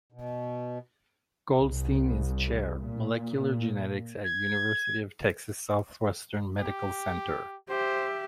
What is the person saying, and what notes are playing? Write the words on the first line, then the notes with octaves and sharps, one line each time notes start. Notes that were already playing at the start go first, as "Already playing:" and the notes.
Goldstein is Chair, Molecular Genetics at University of Texas Southwestern Medical Center.
B2
C2
A#2
G#6
G4
G4 C5 E5